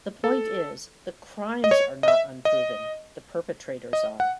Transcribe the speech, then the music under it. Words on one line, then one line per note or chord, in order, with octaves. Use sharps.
The point is, the crimes are not 'unproven'; the perpetrators are.
A4
D#5
C#5
D#5
E5
D#5
D#5
F#5